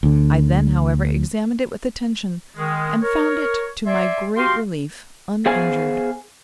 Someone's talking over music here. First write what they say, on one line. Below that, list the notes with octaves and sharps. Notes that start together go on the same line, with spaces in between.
I then, however, examined it with attention, and found it, to my great relief, uninjured.
D2 D3
D#3 G#3
A#4 C#5
D5 E5 G#5 C6
F#4 G4 F5 G5 C6
B3 G#4 C5 F5 G#5